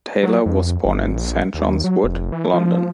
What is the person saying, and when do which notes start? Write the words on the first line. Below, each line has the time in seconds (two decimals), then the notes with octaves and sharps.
Taylor was born in Saint John's Wood, London.
0.23 F#3
0.46 F2
0.85 G#1
1.15 A#1
1.54 D#2
1.84 F#3
2.04 F1
2.32 E3
2.54 F3